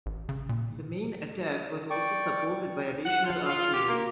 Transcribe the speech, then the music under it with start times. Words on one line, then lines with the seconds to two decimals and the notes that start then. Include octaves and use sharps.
The main attack was also supported by additional artillery.
0.06 A1
0.29 C#3
0.49 A#2
1.90 D5 G5 C#6 D6
3.06 F#5
3.24 F4
3.46 F4
3.74 G4
3.89 A#3